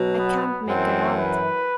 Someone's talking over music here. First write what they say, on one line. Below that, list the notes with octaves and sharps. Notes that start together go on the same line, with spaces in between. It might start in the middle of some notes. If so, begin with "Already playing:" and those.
I can't make her out.
Already playing: B2 F#3
B3
F#2 E3 C4
B4